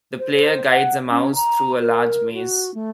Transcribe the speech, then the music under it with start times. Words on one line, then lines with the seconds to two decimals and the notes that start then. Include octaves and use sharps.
The player guides a mouse through a large maze.
0.19 C5
0.34 C5
0.70 F#5
1.10 C#4
1.35 A#5
1.80 A#4
2.33 F#4
2.74 A3